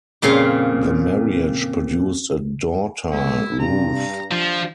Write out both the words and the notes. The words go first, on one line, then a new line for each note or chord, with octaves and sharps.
The marriage produced a daughter, Ruth.
F2 A#2 C#3 F5 C6
G#3 A#3 B3 E4
G2 C3 A#5
F3 D4 F4 G4